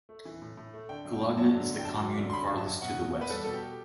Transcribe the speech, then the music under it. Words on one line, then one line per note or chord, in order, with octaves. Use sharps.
Collagna is the commune farthest to the West.
A3
E3
A2
A2
A3
D3 G5
F#2
G5
F#2
F#3 A5
D3
F#2
G5
F#2 A5
F#3
D3
C6
F#2 B5
F#2
A5
F#3
B2 F#5
E2
E2
B4
G3 A4
B2 A4
G4